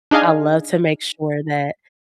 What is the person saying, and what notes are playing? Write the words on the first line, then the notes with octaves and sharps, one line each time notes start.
I love to make sure that
D4 D#4 G#4 D#5 F5 G#5